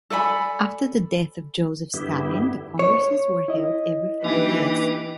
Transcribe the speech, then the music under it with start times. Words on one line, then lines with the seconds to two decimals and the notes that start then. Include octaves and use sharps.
After the death of Joseph Stalin, the congresses were held every five years.
0.10 A4 D5 G#5 B5
1.94 G2 D3 B3 E4 G4
2.79 C#5
3.48 E4 D#5
4.24 E3 A#3 D4 D#4 G4 B4